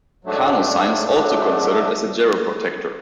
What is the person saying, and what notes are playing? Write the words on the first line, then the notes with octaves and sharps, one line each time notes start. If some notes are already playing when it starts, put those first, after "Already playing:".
Carnosine is also considered as a geroprotector.
G#2 F#3 A3 D4
G#2 F#3 A3 D4